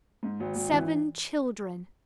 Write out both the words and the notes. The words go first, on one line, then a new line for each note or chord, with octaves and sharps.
Seven children!
G#2
G#1
G#1
E3